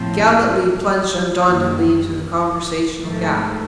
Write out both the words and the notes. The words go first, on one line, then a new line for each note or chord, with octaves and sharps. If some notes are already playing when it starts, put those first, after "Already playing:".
Galletly plunged undauntedly into the conversational gap.
Already playing: A2 F3 A3 C4
F#2 D#3 G3 A#3
G#2 F3 A3